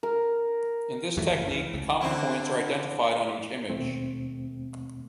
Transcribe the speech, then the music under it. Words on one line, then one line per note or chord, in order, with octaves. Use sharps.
In this technique, the common points are identified on each image.
A#4
D#2 E3 F#3 A3
F#1
C#2 C#3 E3
C#2
D3 C4 E4
D#2 B2 A3 C4